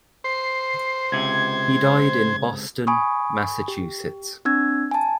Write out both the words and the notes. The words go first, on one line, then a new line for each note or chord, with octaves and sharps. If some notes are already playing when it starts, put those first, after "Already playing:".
He died in Boston, Massachusetts.
C5 C7
C#2 C3 G#6
G#5 B5 C#6 D#6
G4
C4 D4 E6 G#6
G#5 A5